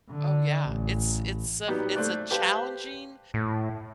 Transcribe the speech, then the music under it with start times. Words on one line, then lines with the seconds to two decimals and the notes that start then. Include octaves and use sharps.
Oh yeah. It's it's a v it's a challenging,
0.11 D3
0.70 A1
1.68 F#3 G3 B3 D#4 G4
1.96 A3 C5 D5 F#6
2.31 G4 B4 C5 F5 A5
3.34 A2